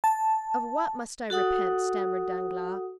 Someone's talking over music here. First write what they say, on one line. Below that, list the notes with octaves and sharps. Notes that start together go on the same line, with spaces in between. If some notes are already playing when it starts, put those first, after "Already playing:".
"Of what must I repent?" stammered Danglars.
A5
F#4 A4 F#5 D#6